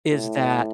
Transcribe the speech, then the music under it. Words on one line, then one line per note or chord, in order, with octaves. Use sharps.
is that
A2